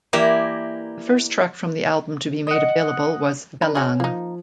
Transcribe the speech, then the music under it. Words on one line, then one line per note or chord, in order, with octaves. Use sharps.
The first track from the album to be made available was "Galang".
E3 A#3 E4 G4 A#4 D5
D#5 F#5
D4 A#4 B4
F#4 G#4 C#5 G#5
F3 A#3 D#4